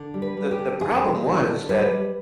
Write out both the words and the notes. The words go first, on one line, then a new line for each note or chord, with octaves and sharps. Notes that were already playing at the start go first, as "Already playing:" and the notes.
the the problem was that
Already playing: D3
G3
B4
G3
G4
D3
F2 G#4
G3
G3
D3
G3 B4
G3